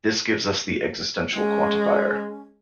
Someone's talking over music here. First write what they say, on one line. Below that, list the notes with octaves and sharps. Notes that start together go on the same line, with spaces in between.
This gives us the existential quantifier.
G#3 C#4